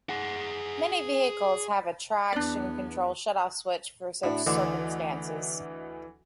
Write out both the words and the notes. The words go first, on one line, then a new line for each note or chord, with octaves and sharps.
Many vehicles have a traction control shut-off switch for such circumstances.
G#4 F#5
E2 B3 D4 D5
A2 D4 E4 F#4
D2 D3 E3 D4 A4 D#5